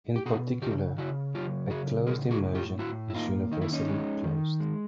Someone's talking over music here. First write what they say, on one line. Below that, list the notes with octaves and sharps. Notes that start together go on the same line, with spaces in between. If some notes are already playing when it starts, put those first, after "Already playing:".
In particular, a closed immersion is universally closed.
G4
B2 F#4 G#4
C#3 F4 G4
C#3 E4 F#4
F#3 F4 G4
C#3 F#4 G#4
A2 G#4 A#4
F#4 G#4
A2
F4 G4
A2 E4 F#4
E4
A#3 D#4 F4
D#3 D#4
E4
C#4 D#4
G#3
D#3
G#3